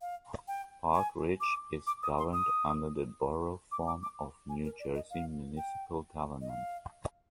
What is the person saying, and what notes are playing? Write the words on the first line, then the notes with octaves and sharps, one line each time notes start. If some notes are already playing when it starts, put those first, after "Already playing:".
Park Ridge is governed under the Borough form of New Jersey municipal government.
F5
G5
G#5
D6
D6
D#6
C6
D#6
D6
D6
D6
G#5
A#4
D5
D#5
F5
G5
D#5
F5